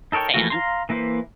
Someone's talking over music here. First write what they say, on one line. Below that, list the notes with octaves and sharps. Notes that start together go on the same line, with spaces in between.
a fan.
D#4 A4 A#4 C#5 G5
E3 F3 A3 A#3 F#4
F5 A#5 C6
E3 A#3 E4 B4 C5